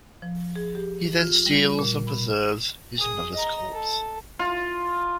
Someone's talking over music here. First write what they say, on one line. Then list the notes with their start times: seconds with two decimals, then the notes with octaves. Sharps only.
He then steals and preserves his mother's corpse.
0.22 F3
0.56 G#4
0.75 G4
1.19 F4
1.46 G3
1.79 A#2
2.07 B5
2.99 G#4 D#6
3.34 D#5 A#5
3.73 A4
4.39 F4